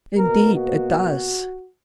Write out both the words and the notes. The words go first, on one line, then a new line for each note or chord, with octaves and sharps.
"Indeed it does."
B2 A#3 A#4
F#4